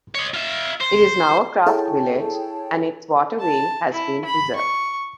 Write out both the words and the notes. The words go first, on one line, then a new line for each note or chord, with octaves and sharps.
It is now a craft village and its waterwheel has been preserved.
C#5 D#5
F4 E5
C5
E4 G#4 A4 C#5 G5 A5
A5
E4
B5
C#6